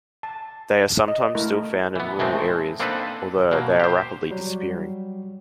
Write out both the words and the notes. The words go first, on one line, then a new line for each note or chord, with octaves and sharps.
They are sometimes still found in rural areas, although they are rapidly disappearing.
A5
D#5
A3 E4 A#4
E3 B3
E3 G#3 A3 C4
A#3 C4 D4 D#4 A4 B4
B2 F#3 A#3
G4 C5
F#3 G3